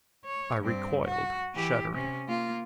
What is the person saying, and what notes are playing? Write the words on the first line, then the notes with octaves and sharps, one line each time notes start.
I recoiled shuddering.
C#5
G2 C4
F#4
E3 G4
C3 C#4
A#3 F4